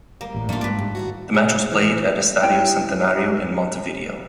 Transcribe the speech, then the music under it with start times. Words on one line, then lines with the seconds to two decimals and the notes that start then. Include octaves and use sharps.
The match was played at Estadio Centenario in Montevideo.
0.21 G3 A#3
0.34 A1 A2
0.49 F#2 F3 A3 A#3 D4 F4
0.61 G#2 G3 B4 D5
0.79 G2
0.95 D#3 E4 F#4
1.34 G#4
1.71 E3
2.43 E4 C#5 G5